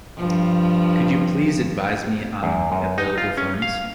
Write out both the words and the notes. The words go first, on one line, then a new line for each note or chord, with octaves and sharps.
Could you please advise on available funds?
G2 F3
E2
F#2
D#4
F4
C#4
F5